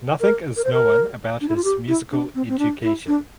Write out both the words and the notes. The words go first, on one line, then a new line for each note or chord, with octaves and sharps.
Nothing is known about his musical education.
A#4
A#4
C5
A#4
D4
E4
F4
G4
E4
D4
C4
C4
D4
E4
D4